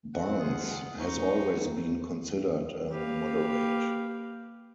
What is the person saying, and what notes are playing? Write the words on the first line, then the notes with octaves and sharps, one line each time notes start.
Barnes has always been considered a moderate.
F#2 E3 C4 F#5
G3 F4 G#4
D#4 C5 C#6
A#3 G4 B4 F5